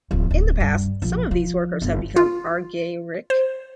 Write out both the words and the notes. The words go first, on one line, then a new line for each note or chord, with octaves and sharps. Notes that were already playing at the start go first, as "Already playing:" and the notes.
In the past, some of these workers have become argyric.
D1 F3
D1
G2
A#1 F3
F3
G1
F4
C5